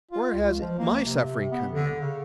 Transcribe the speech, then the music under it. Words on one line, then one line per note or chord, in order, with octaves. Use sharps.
Where has my suffering come in?
F4
C#2
F3
A#3
C3
B3
D3
C#3